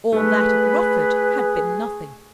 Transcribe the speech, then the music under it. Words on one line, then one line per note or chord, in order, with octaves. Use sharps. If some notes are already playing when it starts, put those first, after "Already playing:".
All that at Rufford had been nothing.
A3 G#4 B4